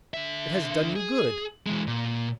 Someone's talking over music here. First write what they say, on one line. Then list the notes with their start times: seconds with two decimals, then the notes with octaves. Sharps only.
It has done you good?
0.14 D3 E5
0.96 G#4
1.67 E3 G#3
1.87 A#2